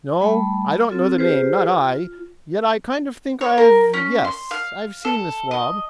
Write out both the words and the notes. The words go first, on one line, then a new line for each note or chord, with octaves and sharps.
No, I don't know the name, not I. Yet I kind of think I've--yes, I've seen the swab.
G3 A3 A5 B5
C4 F4 A4
F4 G4 G#4 B4 C5
F4
C#5
A#4
C#4
C6
F5
A4
D#5